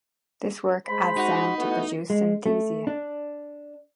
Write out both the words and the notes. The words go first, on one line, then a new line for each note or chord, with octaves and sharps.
This work adds sound to produce synesthesia.
G#3 C5 B5
D#4 F#4
A3 B3 E4 F#4
G#3
A3
D4